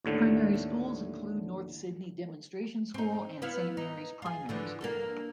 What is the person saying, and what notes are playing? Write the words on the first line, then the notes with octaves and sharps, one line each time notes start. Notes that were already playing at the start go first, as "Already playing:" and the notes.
Primary schools include North Sydney Demonstration School and Saint Marys Primary School.
D#2 A2 D3 A3
C4 D#4
B3 E4 F5
D#4
F4 G#4
D3 E3 F3
A#3 D4 A4